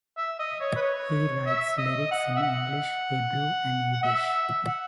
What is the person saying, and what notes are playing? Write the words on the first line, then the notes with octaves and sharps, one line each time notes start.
He writes lyrics in English, Hebrew, and Yiddish.
E5
D#5
C#5
B4
C#5
E5
D#5
F#5
E5
F#5
F#5
E5
F#5